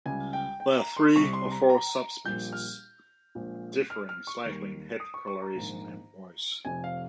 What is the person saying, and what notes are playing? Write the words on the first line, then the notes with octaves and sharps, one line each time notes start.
There are three or four subspecies, differing slightly in head coloration and voice.
C#2 C#3 G3 G#5
G5
G5
A#5
C6
C2 C3 G3 C#6
C6
A#5
A#5
A#1 A#2 G3 G6
F6
A#1 A#2 G#3
F6
F6
C#6
D#2 D#3 G3
D#6
C#6
C#6
A#5
A#1 G#2 D#3
F1 F2 C3 G#5
F5